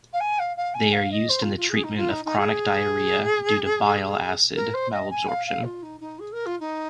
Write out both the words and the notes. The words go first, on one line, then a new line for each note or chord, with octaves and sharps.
They are used in the treatment of chronic diarrhea due to bile acid malabsorption.
F5
G#5
F5
F5
G#5
F5
D#5
C5
F4
F4
G#4
D#4
F4
D#4
D#4
G#4
A#4
C5
D#5
G#5
F5
F5
F4
D#4
D#4
G#4
A#4
F4
D#4